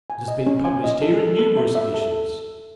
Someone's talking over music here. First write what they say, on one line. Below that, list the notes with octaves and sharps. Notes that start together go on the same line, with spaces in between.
It has been published here in numerous editions.
G#5
D#5
C#4
G#5
D#5
A4
A4
A4
E5
E5
A4
A4